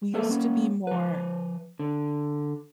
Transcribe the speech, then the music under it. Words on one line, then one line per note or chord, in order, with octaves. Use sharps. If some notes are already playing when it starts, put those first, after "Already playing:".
We used to be more
G#3 A#3 A4 B4 E5
A#3 C#4
F3 B4
D3